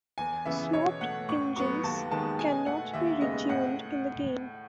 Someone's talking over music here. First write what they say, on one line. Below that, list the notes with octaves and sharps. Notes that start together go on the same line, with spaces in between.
Swapped engines cannot be retuned in the game.
E2 G#5
C#3 E3 B3 E5
B2 C#5
A3 F#5
A2 C#6
F#3 B3 C#6
D#2 A5
D#3 G#3 B3 A5
B2 G#5
A3 F#5
D#2 E5
C#3 G#3 B3 D#5
A2 F#5